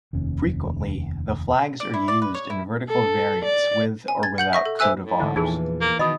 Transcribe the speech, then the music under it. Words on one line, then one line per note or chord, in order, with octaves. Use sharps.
Frequently, the flags are used in vertical variants with or without coat of arms.
F1 D#2 C#4
D5
E4
D5
B4
C#5
E4
A4
D5
G#5
G#6 A6
F#5 G6 F#7
E5 C#6 A#6
A4
C5 E5 G#5 E6 F#6
A2
G#2 D3 E3
E2 A#2 E3 F3 D#4 G#4
A#3
B2 D#3 D#5 B5 D#6